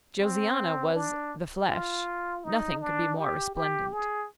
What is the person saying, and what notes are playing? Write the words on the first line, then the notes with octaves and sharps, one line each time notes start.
Josiana was "the flesh." Nothing could be more resplendent.
C4
D4
F4
D#4
D4
G4
G4
G#4